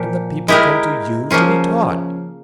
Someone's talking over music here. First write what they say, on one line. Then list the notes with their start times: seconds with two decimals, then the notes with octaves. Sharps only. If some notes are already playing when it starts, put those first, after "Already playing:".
And the people come to you to be taught.
Already playing: A#2 F3 G4
0.48 G#3 E4 G4 A#4
1.31 C#3 F3 A#3 C#4 F4